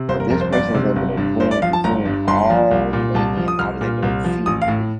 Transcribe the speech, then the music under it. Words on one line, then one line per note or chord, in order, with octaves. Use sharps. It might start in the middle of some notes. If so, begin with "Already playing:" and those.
but this person was able to voom zoom all the way in. I was able to see the,
Already playing: C3
G1 C5
A#4
F2 A#4
C5
G1 D5
C3
G1
G2
G1 C5
D5
F3 F5
A5
G1 A#5
G2
G1 C6
F3
C2
A#2
C2 A5
F3
D#6
C2 F6
A#2
C2
F3
A1 D#6
F5
A2